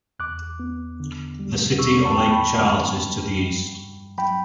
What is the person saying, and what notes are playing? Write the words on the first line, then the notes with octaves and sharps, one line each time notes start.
The city of Lake Charles is to the east.
E2 D6 F#6
B3
D3
G3
E2 C#6 E6
A5 C#6
B3 G5
A5
G5 B5
D3
G3
G2
G2
F#3 G5 B5